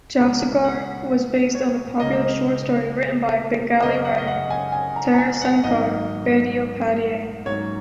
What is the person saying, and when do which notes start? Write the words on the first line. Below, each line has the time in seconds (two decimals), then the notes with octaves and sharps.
"Jalsaghar" was based on a popular short story written by Bengali writer Tarasankar Bandyopadhyay.
0.18 C#2 C#3 A#3 C#4
0.64 F#5
1.55 C#5
2.00 C#2 C#3 A#3 D#5
3.82 F#2 C#3 A#3 C#4 D#5
4.05 F#5
4.18 D#5
4.27 F#5
4.50 G#5
4.72 G#5
4.96 A#5
5.14 A#5
5.18 G#5
5.41 F#5
5.64 G#1 G#2 F#3 A#3 D#5
7.46 G#2 F#3 A#3 C#4 C#5